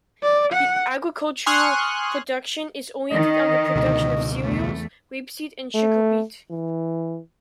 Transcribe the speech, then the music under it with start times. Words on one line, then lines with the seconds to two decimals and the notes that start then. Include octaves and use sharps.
The agricultural production is oriented on the production of cereals, rapeseed and sugar beet.
0.23 D5
0.52 F#5
1.46 G#5 C6 C#6 D#6 F6 F#6
3.11 D#3 D#5
3.76 C#2 B2 D3
4.43 E2 A3
5.75 A3
6.50 E3